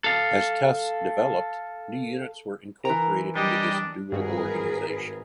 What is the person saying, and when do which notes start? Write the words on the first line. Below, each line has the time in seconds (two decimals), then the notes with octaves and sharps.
As Tufts developed, new units were incorporated into this dual organization.
0.04 A4 F5
2.85 E3 A#4 A#5
3.36 G3 D4 G4 D#5
4.12 G#1 G2 G3 F#4 G#4 A#4 B4 F#5